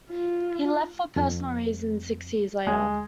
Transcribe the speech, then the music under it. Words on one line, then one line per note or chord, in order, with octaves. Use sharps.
He left for personal reasons six years later.
F4
F2
D2 G#3